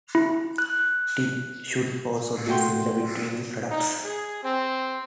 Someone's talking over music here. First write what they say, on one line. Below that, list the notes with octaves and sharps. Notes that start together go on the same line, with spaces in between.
"T" should also be similar between the products.
E4
F#6
A3 F#4 G5 C6
D#4
G#4
C4